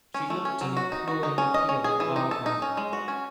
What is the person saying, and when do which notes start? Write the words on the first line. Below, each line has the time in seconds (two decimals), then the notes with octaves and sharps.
She looked an imploring appeal at Barbara.
0.14 C#4
0.30 A3
0.45 C#4
0.61 F#3
0.77 F#4
0.92 D#4
1.08 F#4
1.23 D#4
1.38 C#4
1.54 D#5
1.69 C#4
1.84 G#4
2.00 E3
2.16 D#4
2.31 A4
2.46 D#4
2.62 C#4
2.77 G#3
2.93 F#4
3.08 C#4